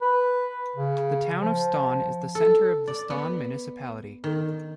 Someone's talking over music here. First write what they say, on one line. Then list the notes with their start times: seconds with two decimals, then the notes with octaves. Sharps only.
The town of Ston is the center of the Ston municipality.
0.02 B4
0.76 C#3
1.42 F3
2.35 A4
2.88 D5
3.10 B3
4.24 D#3